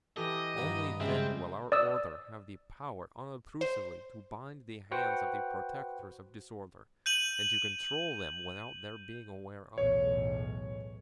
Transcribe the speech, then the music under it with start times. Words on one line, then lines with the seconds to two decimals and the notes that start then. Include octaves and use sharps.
Only then will our order have the power unobtrusively to bind the hands of the protectors of disorder and to control them without their being aware of it.
0.17 E3 G4 A4 D#5
0.57 G2 D#3 B3
1.00 C#3 G3 G#3 C4 E5
1.72 D5 D#6 E6
3.61 C5
4.91 F#4 B4 C5 F#5 G5
7.06 G6 D#7 F#7
9.78 B1 E2 A2 C#5